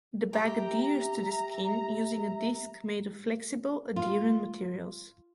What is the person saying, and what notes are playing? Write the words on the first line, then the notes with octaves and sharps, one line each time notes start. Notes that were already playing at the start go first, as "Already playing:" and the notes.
The bag adheres to the skin using a disk made of flexible, adherent materials.
G4 E5 A#5
F4